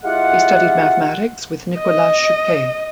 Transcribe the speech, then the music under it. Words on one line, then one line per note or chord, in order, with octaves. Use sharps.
He studied mathematics with Nicolas Chuquet.
G#3 E4 F4 G4 F5 F#5
D#5